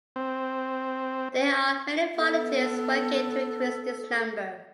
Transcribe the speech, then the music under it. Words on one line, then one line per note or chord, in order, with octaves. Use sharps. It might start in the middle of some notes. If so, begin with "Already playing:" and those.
There are many volunteers working to increase this number.
C4
B3 A4